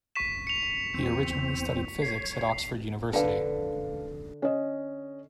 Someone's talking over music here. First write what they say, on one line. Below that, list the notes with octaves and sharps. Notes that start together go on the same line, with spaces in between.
He originally studied physics at Oxford University.
C#6 B6 E7
C#7 F7
E2 C4
C#5 C7
D3 D4 B4 F5
C#4 D#5